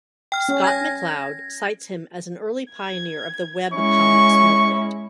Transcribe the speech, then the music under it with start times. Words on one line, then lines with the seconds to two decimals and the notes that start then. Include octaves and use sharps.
Scott McCloud cites him as an early pioneer of the webcomics movement.
0.32 G5 F6
0.49 C#4
0.64 G#5 G#6 A#6
2.73 G#6
3.74 G#3 C#4 E4 C#6